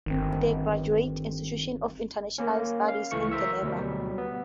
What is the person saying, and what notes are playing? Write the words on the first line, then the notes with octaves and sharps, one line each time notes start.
Dunkel was educated at the Graduate Institute of International Studies, in Geneva.
G1 D#3 C4
A#3 C#4
F5
C#2 E3 A3 C#6 C#7
A#4 C5 E5 E6
D2 B2 F#3 G3
B3